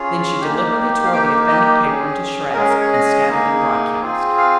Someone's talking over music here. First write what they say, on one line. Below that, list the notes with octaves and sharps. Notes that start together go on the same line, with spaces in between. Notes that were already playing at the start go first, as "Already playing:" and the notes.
Then she deliberately tore the offending paper into shreds and scattered them broadcast.
Already playing: C#4 F4 G#4
A#3 D#4 G4
F5
A#3 D#4 G4 G5
D#5
C#4 G#4
A#4
G#3 C#4 G#4
A#4
C#5
D#5
A#3 D#4 G#4
C4 F4 G#4
F5